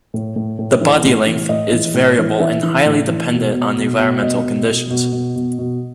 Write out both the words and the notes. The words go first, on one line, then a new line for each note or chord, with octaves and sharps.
The body length is variable and highly dependent on environmental conditions.
A2
A2
A2
E3
A2
E3
A2 D#5
E3
A2
E3
E3 E5
E3
A2
E3
B2
B2
B2
B2
B2 D#5
B2
B2
B2
B2
B2
B2